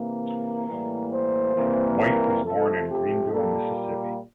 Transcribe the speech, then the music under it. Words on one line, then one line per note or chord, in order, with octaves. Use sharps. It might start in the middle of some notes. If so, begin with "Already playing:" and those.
White was born in Greenville, Mississippi.
Already playing: C3 E3 A#3
A#4
A2 E3 G3 A#3
C5
C3 E3 G3 A#3
A#4
C3 F3 A3 A4
G4
A#2 G3 A#3 A4